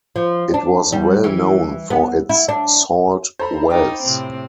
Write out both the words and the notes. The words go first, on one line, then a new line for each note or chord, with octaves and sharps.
It was well known for its salt wells.
F3
D4
G3
E3
B3
E4
D4
A4 C5 A#5 B5
D#4 F4 G5 D6
A2 C3 C4